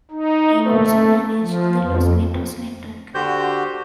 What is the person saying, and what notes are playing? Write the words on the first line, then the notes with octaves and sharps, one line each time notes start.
He also managed the Los Nettos Network.
D#4
A3
F3
F2
D3 F#4 G4 C5 G6